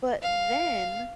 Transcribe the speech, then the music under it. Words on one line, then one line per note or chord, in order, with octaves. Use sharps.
But then
F5